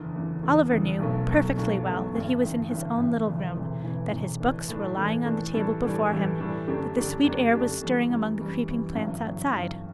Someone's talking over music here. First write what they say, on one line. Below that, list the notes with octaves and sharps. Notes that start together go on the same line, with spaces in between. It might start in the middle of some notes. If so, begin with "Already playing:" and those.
Oliver knew, perfectly well, that he was in his own little room; that his books were lying on the table before him; that the sweet air was stirring among the creeping plants outside.
Already playing: F#1 E2 D3
F#1 E2 D3
F#1 E2 D3
F#1 E2 D3
B1 B2 F#3 A3
B1 B2 F#3 A3
B1 B2 F#3 A3
B1 B2 F#3 A3
A1 G2 D3
A1 G2 D3
A1 G2 D3
A1 G2 D3
E1 D2 C3 E3
E1 D2 C3 E3
E1 D2 C3 E3
E1 D2 C3 E3
A2 E3 A3 D4
A2 E3 A3 D4
A2 E3 A3 D4
A2 E3 A3 D4
A2 E3 G3 D4 A4
A2 E3 G3 D4 A4
A2 E3 G3 D4 A4
A2 E3 G3 D4 A4
F#2 D3 A3 D4 G4
F#2 D3 A3 D4 G4
F#2 D3 A3 D4 G4
F#2 D3 A3 D4 G4
F#2 E3 G3
F#2 E3 G3
F#2 E3 G3
F#2 E3 G3
A1 G2 D3 F#3
A1 G2 D3 F#3
A1 G2 D3 F#3